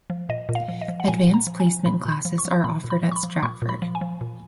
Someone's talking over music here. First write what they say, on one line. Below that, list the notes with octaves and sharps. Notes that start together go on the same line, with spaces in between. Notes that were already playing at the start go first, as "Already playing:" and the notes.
Advanced Placement classes are offered at Stratford.
F3
A#2 D#5
A#2
F5
F3
D#5
F3
F#5
A#2 G#5
A#2
A#5
F3
G#5
F3
A#2 B5
A#2
B5
F3
C#6
F3
A#2 B5
A#2
B5
F3
C#6
B5
F3
A#2 C#6
A#2
B5
F3
G#5
F3
A#2